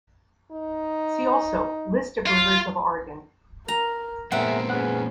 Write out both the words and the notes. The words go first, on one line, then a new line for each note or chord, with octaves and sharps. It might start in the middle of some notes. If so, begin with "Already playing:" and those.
See also List of rivers of Oregon.
D#4
F4
A#4 A#5
A#2 G#3 B3 C4 G#4 A#4 E5 F#5
C#4 G#4 B4 F#5